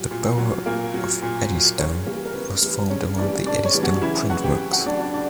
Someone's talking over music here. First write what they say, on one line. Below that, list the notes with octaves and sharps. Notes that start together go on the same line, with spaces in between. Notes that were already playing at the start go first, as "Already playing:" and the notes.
The borough of Eddystone was formed around the Eddystone Print Works.
Already playing: A#2 F#3 G3
A#2
F#3
A#2 A#3 A#4
F#3
A#2
F#3
C#3 C#4 C#5
E3 G3 A#3 A#4
A#4
C#3 B3 B4
E3 G3
C#3 C#4 C#5
E3 G3 D4 D5
C#3 D4 D5
C#4 C#5
E3 G3
F#3 F#4
C#3 E3 E4
F#3 F#4 F#5
G4 G5
C#3
F#4 F#5
F#3 D4 D5
D4 D5
C#3 D4 D5